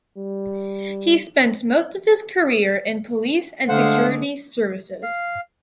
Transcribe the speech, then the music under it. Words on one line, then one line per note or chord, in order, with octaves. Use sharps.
He spent most of his career in police and security services.
G3
D3 G#3 A3 C5 F5 F#5
F5